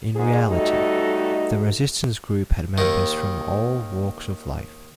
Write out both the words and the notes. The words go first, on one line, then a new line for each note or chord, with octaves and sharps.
In reality, the resistance group had members from all walks of life.
G#2 G#4
G3 A3 D#4 F#4 A4 D#5
D#2 D#3